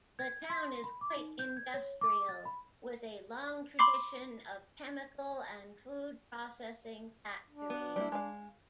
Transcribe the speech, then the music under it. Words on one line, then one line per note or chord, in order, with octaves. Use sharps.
The town is quite industrial with a long tradition of chemical and food-processing factories.
G#6
C6
B5
D6
D#4
G6
G#6
C#5
D6
A6
B5
B5 C6 D6 C7
D4
B3
G3 A#3 E4
G#3 F5